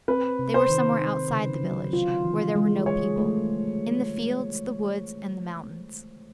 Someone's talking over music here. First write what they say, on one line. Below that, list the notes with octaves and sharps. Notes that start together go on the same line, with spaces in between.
They were somewhere outside the village, where there were no people--in the fields, the woods and the mountains.
C4 B4
C3
C5
D#3
D#4
C#3
F#3
F4
E3
G#3
G#4 C#5
A3